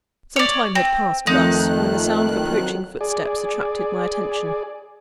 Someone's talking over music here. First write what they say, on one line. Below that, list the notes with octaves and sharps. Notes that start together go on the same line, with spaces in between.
Some time had passed thus, when the sound of approaching footsteps attracted my attention.
C#5 D5
C4
F2 D#3 F3 A3 C4 D#4 F#6
F#3
G#4 D5